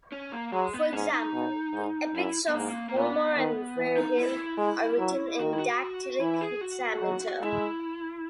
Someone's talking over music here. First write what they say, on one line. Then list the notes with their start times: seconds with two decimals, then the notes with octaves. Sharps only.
For example, the epics of Homer and Vergil are written in dactylic hexameter.
0.12 C#4
0.32 A#3
0.53 F#3 G#3
0.73 B3
0.93 G#2 C#4
1.13 D#4
1.33 B2
1.74 G#2
2.15 F#2 E4
2.48 B3
2.55 G#2 A#3
2.89 A#3
2.96 A#2 B3
3.37 D#3
3.77 E3
3.97 D#4
4.18 E4
4.58 G#3
4.98 F#3
5.39 D#3 F#4
5.53 E4
5.59 F#4
6.20 E3 E4
6.41 G#4
6.61 F#4
7.01 F#3
7.42 G#3 E4